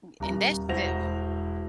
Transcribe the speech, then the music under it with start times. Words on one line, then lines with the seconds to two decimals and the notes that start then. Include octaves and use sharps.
N and that's def
0.20 D#1 A#5
0.69 E1 E4 F#4 C5 A#6 F7